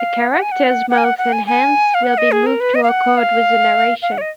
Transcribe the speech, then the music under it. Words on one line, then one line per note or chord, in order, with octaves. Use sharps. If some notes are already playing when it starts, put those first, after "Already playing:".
A character's mouth and hands will be moved to accord with the narration.
Already playing: F5
F#5
G#5
F#5
F#5
G#5
F#5
F#5
G#5
G#5
F5
F#5
D#5
G#4
A#4
B4
D#5
F5
F#5
F5
F5
F#5
C#5
D#5